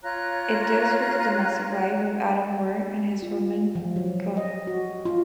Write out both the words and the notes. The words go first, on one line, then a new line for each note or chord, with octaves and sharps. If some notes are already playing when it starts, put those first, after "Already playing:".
It deals with the domestic life of Adam Work and his woman Rhoda.
F4 C#5 A#5 F#6
F4
F3
F#3
D#5
F#4
F4